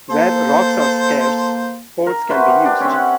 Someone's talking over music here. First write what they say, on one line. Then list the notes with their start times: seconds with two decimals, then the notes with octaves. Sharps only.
Where rocks are scarce poles can be used.
0.10 A#3 A4 C5
2.06 A#4
2.29 F#4 B4 C5 E5
2.48 G4
2.65 D4
2.80 C4 C#4
2.93 F#5